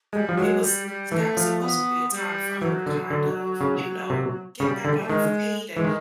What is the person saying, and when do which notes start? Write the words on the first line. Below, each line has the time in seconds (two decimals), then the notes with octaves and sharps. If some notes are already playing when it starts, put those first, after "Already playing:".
It was that was supposed to be a time for her to, kind of, you know, get back on her feet and
0.13 G3 G#3
0.29 F3
0.37 F#3 G#3
0.62 G3
0.87 G3
1.12 E3 A3
1.37 F3
1.61 B3
2.11 G3
2.61 E3 F#3
2.86 D3
3.10 D3
3.61 C#3
4.10 C3
4.60 C#3 G3
4.85 D3
5.01 A3
5.09 D#3 G#3
5.75 E3 G#3
5.85 D#3